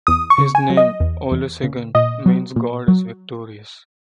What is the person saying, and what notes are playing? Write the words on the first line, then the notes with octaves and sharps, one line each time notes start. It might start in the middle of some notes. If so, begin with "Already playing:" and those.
His name, Olusegun, means "God is victorious".
E2 D#6
C#6
C#3
G#5
F#3
D#5
E2
E2
C#3
A#2 D#5
F#3
A#2
F#3